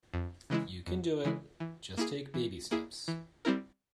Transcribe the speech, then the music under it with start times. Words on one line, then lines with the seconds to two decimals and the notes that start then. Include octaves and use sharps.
You can do it. Just take baby steps.
0.14 F2
0.50 C#3 E3 G#3 E4
0.87 F2
1.24 C#3 E3 G#3 E4
1.60 E3
1.97 A#3 E4 G#4
2.34 E3
2.71 A#3 E4 G#4
3.08 E3
3.45 G3 C4 E4 A#4